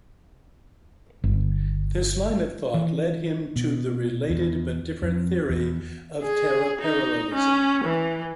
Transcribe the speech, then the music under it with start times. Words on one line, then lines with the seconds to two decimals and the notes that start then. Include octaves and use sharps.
This line of thought led him to the related but different theory of teleparallelism.
1.24 G1
2.74 E3
3.56 B2
4.30 E2
5.02 F2
5.50 E2
6.23 G#4
6.81 D#4
7.35 C#4
7.85 E3